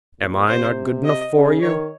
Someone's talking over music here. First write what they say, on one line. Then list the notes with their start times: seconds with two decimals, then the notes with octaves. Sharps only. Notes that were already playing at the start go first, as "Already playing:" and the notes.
Am I not good enough for you?'
0.19 A#2
0.47 C3 C5
1.05 D#5
1.34 C#3
1.62 D#3 C#5